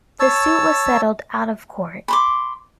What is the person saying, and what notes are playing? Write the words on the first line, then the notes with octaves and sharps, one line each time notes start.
The suit was settled out of court.
C#5 A5 E6
B5 C6 D6